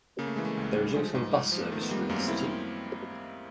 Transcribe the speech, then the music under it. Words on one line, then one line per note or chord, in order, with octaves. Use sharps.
There is also bus service through the city.
C#3 A#3
A3
E3 G#3
A3
C#2
G3
F3 G#3
G#2
G#2
F3
A#3
D#3 A3
B3
G3 A#3
F#2 A#3
C4
E4